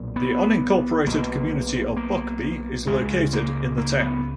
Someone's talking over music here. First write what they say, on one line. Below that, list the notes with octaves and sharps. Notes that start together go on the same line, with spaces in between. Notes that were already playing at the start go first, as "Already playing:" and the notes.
The unincorporated community of Buckbee is located in the town.
Already playing: B1 A#2
B3
B1 B2 A#3
A#3
C#2 C#3 G#3
A#3
A#3
B3